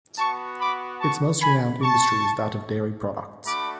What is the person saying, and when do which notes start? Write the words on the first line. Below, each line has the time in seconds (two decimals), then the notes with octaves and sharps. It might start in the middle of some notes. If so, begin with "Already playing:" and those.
Its most renowned industry is that of dairy products.
0.18 B3 F#4 A5 C#6
0.59 B5 D6
1.00 A5 C#6
1.41 G#5 B5
1.82 A5 C#6
3.46 A3 D4 F#4 B5 D6